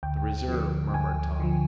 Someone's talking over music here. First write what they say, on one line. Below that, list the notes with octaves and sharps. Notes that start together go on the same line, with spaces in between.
"The reserve," murmured Tom.
D2 G5
D3 F3
D2 G#5
D3 F3